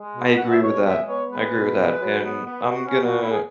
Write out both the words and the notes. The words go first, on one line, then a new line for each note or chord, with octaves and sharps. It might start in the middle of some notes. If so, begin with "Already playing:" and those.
I agree with that, I agree with that. And I'm gonna
Already playing: G#3
B2
B2 F#5
E5
B2 C#5
G#3 E5
B3 C#5
G#3 B4
B2
G#3
F#3
B3
B3
B3 F#4
C#4
B2
F#4
B3
E4
G#4